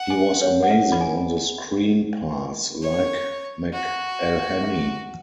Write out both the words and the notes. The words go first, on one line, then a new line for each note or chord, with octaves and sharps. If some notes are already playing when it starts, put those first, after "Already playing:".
He was amazing on the screen pass, like McElhenny.
Already playing: F#5
G#5
C#5
F#5
E5
B5
G#5
C#5
F#4
E5